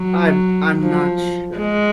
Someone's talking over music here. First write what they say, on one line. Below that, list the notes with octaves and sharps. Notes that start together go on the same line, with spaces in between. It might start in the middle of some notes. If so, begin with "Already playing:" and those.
I'm I'm not sure.
Already playing: F#3
F3
G#3